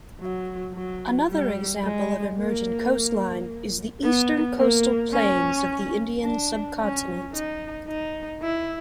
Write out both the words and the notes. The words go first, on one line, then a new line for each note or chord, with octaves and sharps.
Another example of emergent coastline is the Eastern Coastal Plains of the Indian Subcontinent.
F#3
F#3
G3
G#3
A#3
B3
A#3
C#4
D4
C#4
D#4
D#4
E4